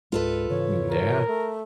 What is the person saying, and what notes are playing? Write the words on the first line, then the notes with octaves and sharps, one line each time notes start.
Mm, yeah,
C#2 G#2 G#3 F4 A4 B4
G#2 C#3 E3 C#5
A#4
A3